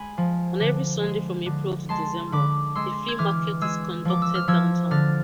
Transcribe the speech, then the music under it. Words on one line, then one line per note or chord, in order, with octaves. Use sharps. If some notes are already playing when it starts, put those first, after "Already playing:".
On every Sunday from April to December, a flea market is conducted downtown.
Already playing: G#3 G#5 B5
F3
D3
G#3
D3
G#3 A5 C6
D3 B5 D6
G#3 C6 E6
G#6
E3 D6 F6
G#3 E6 G#6
F3 D6
E6
F6
F3 E6 G#6
D3 F6 A6